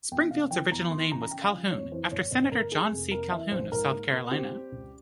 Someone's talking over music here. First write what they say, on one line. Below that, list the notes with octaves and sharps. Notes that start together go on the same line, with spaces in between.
Springfield's original name was Calhoun, after Senator John C. Calhoun of South Carolina.
E2 G5
C3 F5
E3 G5
E2 A#5
E3 C6
C#3 A#5
A#5
C#3 G5
F5
F3
F2 C#5
E3 C5
G1 C#5
G1 C5
G1 A#4
A#3 G#4
F1
A#3 A#4
E3 E5
A#1 C5
G#2 A#4
A#3
A#3
C4 G4
G3
C#2